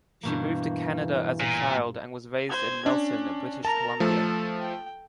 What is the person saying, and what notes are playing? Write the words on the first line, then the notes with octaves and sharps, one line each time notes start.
She moved to Canada as a child, and was raised in Nelson, British Columbia.
G2 B2 E3 A#3
A#2
C5 G#6
C#4 D4
A#4 A5 A#5
F3 A3 A4
G5